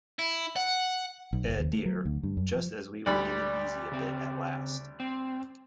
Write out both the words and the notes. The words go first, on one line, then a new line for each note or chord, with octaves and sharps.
Eh, dear, just as we were getting easy a bit at last.
E4
F#5
B1
F#1
D#2
A3
F#3
D2
G2
F#2
F3
D2 G3 D5 B5
C#3 C4
C4